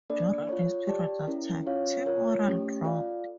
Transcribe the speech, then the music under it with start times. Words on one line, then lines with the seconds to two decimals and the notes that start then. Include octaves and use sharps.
During this period of time, team morale dropped.
0.10 A#3 D4 A4 D5
0.49 F4 A4 C#5
0.87 G4 D5 A5
1.27 C#4 E4 A#4
1.67 C#4 F4 C#5 F5
2.06 F4 A#4 C#5
2.46 A3 C#4 G4
2.85 F4 A4 D5 F5